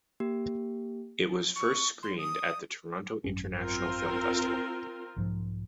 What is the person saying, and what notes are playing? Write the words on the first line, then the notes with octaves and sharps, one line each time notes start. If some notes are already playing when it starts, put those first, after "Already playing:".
It was first screened at the Toronto International Film Festival.
A#3 G4
C#6
C6
D#6
G#1 F#2 C#4
C4 F4 A#4
B1 G#2 F3